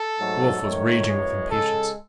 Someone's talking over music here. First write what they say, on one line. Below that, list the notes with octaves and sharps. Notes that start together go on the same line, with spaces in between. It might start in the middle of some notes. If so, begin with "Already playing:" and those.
The Wolf was raging with impatience.
Already playing: A4
G#2 F#3 A3
G#2 D#3 A3 C#5
F#2 E3 G#3
C#3 G#3 A4